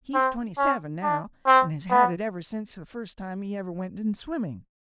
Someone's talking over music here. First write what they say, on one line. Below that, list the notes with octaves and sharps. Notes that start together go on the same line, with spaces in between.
He's twenty-seven, now, and has had it ever since the first time he ever went in swimming.
C4
C#4
D4
C4
B3